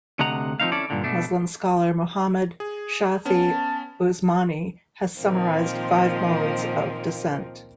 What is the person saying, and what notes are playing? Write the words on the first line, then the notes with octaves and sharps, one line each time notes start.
Muslim scholar Muhammad Shafi Usmani has summarized five modes of descent.
D2 C3 A3 D#5 F#5 A#5
F3 C4 D#4 F5
C#4 E4 A4 D5
G2 A#2 D3
B2 A3 D4
G#4
B3 C#4 A5
A#2 D#3 F3 A#3 C4